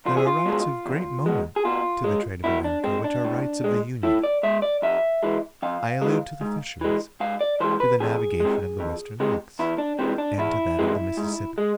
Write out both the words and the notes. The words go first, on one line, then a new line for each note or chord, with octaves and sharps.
There are rights of great moment to the trade of America which are rights of the Union--I allude to the fisheries, to the navigation of the Western lakes, and to that of the Mississippi.
E2 F4
G#4
F4
B2 G#3
E2
B2 G#3
G#4
B2 F4
G#3
B2 E4
D4
G#3 C4
D4
A2
G#3
A2 E4
D5
G#3 E5
D5
F2 E5
E3 G#3
F2 F5
E3 G#3
G#2
E3 G#3
G#2 F5
D5
E3 G#3 C5
B4
F2 G#4
C3 G#3
F2
C3 G#3
E2 E4
D4
C3 E3 G#3 C4
D4
E2 E4
C3 E3 G#3
G#2
G#3